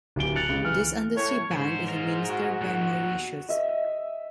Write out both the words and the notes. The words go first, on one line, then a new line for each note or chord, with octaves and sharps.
This undersea bank is administered by Mauritius.
D1 G4 D7 G7
F#6 A6 C#7 F7 F#7
C#2
E3 F6
A2 C#5
G#2 C3 C5
F4 A#4
F#4
D#2 A#2
D#5 E5